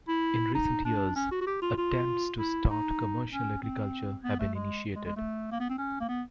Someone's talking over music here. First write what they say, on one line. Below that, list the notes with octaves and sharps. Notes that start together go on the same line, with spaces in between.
In recent years, attempts to start commercial agriculture have been initiated.
E4
D#4
D4
C#4
F#4
F#4
G4
F4
F4
E4
D#4
C#4
C4
B3
A3
G#3
G#3
G#3
A3
A#3
B3
C4
C#4
A#3
B3